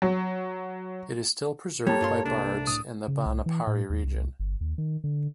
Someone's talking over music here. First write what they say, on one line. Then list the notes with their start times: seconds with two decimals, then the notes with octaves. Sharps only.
It is still preserved by bards in the Banaphari region.
0.02 F#3
1.87 G3 A#3 G4 A4 C#5 A5
2.01 G2 F4 C6
2.26 C2 D4
2.67 C#2 A2 D#6
3.08 C#3
3.26 C2
3.46 E3
3.67 A2
3.90 D#2
4.04 C2
4.40 G1
4.61 D#2
4.78 D#3
5.04 D3